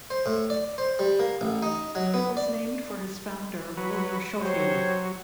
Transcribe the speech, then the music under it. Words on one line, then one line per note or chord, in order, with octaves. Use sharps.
It was named for its founder, William Schofield.
C5
A2
D5
C5
G3
A#3
A1
D#4
F#3
B3
D5
F#3 B4
F#3 G4 C5 C#5